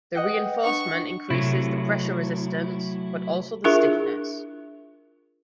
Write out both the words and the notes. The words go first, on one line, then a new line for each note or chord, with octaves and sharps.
The reinforcement increases the pressure resistance but also the stiffness.
B4 D#5 F#5 G5
D4 C#6
C3 F#3 A3 E4
D4 E4 F4 G#4 A#4 E5